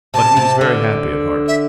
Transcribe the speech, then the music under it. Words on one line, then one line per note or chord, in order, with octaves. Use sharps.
But he was very happy at heart.
C3 A5
C3
D3
E5